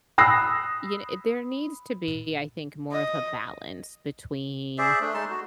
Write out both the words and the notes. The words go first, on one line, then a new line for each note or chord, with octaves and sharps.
You kn there needs to be, I think, more of a balance between
B5 D#6 E6 F#6 A#6 C7
D#5
G#4 C5 D5 E5
A3 D4
G#3 D#4 A5 C6
F#4